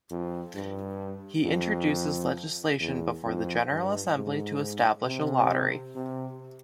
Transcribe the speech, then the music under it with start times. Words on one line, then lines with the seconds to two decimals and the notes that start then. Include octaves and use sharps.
He introduces legislation before the General Assembly to establish a lottery.
0.11 F2
0.55 G2
1.45 F2
2.80 E2
3.25 F2
3.70 G2
4.15 G#2
5.05 C3
5.95 C3